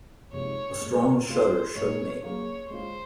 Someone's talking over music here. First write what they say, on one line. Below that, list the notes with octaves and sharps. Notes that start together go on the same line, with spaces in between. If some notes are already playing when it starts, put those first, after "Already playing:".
A strong shudder shook me.
C3 F3 G#3 D#4 C#5
A#2 G#3 C#4
G#3 C4 F4 G#4 C5
A#2 G#3 D#4 G#4 C#5
F#3 A#3 C#4 G#4 C#5
G#3 C#4 F4 G#4 C5